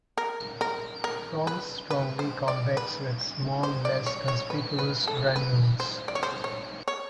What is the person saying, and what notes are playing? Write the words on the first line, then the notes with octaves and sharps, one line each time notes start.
Frons strongly convex with small less conspicuous granules.
A#4
A#4
A#4
B4
B4
C5
D5
B4
C5
D5
C#5
C#5
B4
B4
A4
B4
C5
D5
C#5
C5
C#5
C#5